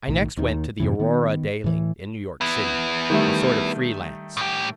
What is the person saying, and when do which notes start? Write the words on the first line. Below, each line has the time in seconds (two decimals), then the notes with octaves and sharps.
I next went to the "Aurora" daily in New York city--a sort of free lance.
0.08 B1 A2 D#3
0.37 D#2 D#3
0.80 F#2 A2 C3 E3
0.99 D#3 B3
1.64 A2 E3
2.41 B3 E4
3.10 D#3 G3 A3
4.37 A2 G4